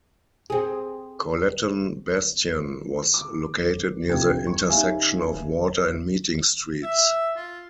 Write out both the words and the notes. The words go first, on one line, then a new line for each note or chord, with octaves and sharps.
Colleton Bastion was located near the intersection of Water and Meeting Streets.
C4 G#4
D6
C2 G2 F3 C4 G5 G#6
C#6
C#4 D#4 G4 E5 F5 G#5
E5
F4